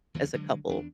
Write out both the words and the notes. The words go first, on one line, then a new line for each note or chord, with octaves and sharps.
as a couple.
D#2 E3 F#3
D3 F#3 G#3
E2 D4